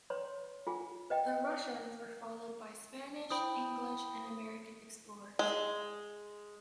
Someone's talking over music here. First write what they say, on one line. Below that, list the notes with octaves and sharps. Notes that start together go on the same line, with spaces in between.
The Russians were followed by Spanish, English, and American explorers.
B4 C#5 C6
F4 G#4 G#5
B4 D#5 G5
E4 C5 G5 B5 D#6
G#3